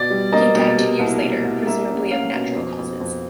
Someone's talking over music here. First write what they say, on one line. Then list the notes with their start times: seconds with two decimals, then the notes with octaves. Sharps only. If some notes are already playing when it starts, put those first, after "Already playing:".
He died two years later, presumably of natural causes.
Already playing: B2 D5
0.10 G3
0.33 A#3 D#5
0.55 B2
0.77 C3
0.99 C2
1.22 C3
1.44 C2
1.67 A#3 E5
1.89 C#4
2.11 C#4 F5
2.33 B2
2.56 F2
2.78 F2
3.00 F2